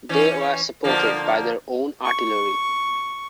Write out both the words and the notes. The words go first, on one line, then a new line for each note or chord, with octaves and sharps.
They were supported by their own artillery.
E3 C#4
D3 F3 A#3
C#6